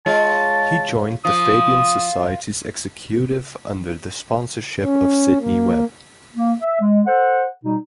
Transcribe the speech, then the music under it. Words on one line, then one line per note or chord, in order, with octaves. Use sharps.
He joined the Fabian Society's executive under the sponsorship of Sidney Webb.
G#3 F4 C#5 A5
F3 D#6
C#4
A#3
A#3
E5
G#3
A4 C5 F#5
B2 G3 D#4